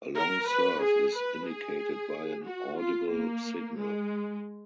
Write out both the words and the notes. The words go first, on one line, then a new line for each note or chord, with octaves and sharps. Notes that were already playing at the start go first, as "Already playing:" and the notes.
A long serve is indicated by an audible signal.
A#4
B4
G#4
B4
G#4
F#4
F4
A#3
G#3